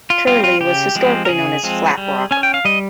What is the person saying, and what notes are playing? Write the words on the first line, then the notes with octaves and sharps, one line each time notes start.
Turley was historically known as Flat Rock.
F4
G3 C4 F4
F4
C#3 G4
F3 G#3 C4
A#4
C#3 G#4
F3 G#3 C4
G3
C#4 G#5
G5
F5
G3 D#5